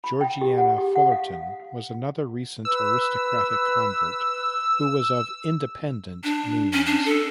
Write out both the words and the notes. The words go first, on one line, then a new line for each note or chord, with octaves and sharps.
Georgiana Fullerton was another recent aristocratic convert who was of independent means.
B5
G5
G4
F#5
G4
F#5
F5
B4 E6
D4
C#4
D4
A4